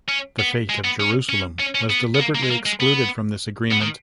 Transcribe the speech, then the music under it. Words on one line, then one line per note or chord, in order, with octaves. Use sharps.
The fate of Jerusalem was deliberately excluded from this agreement.
C#4
B3
G#3
B3
C#4
C#4
C#4
C#4
B3
B3
A#3
A#3
G#3
A#3
G#3
B3
B3
D#3